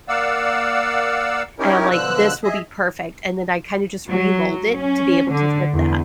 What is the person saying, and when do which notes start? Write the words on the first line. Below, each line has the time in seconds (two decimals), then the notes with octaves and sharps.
And I'm like, "This will be perfect," and then I kinda just remold it to be able to fit that.
0.09 A#3 D5 F5 F#5 E6
1.59 C#4 D#4 E4 G4 A#4 C#5
1.91 B2 D3 F3 E6 F#6
2.43 G#4 D#5 E5
4.07 F#3
4.74 C#4
5.31 D3
5.74 E2